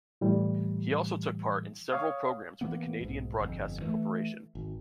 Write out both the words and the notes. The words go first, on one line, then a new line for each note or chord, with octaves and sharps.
He also took part in several programs with the Canadian Broadcasting Corporation.
A2 E3 G3
C#5 F5 D#6
E3 A#3 B3
B1 G#2
G1 F2
E3 G#3 A3
G#1